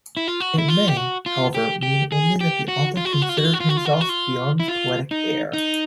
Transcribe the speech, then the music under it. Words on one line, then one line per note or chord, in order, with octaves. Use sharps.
It may, however, mean only that the author considered himself Bion's poetic heir.
E4
F4
F#4
E4
F4
G4
F#4
F4
G4
G4
G#4
G4
F#4
F4
F#4
F4
F#4
F4
F#4
F4
F#4
F4
F#4
F4
F#4
F4
F#4
F4
E4
F4
D#4
D#4